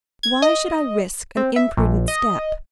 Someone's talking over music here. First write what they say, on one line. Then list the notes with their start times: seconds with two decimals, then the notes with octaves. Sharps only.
Why should I risk an imprudent step?
0.23 G#6
0.42 D#5
1.37 C4
1.56 E5
1.77 A#1
2.08 D#5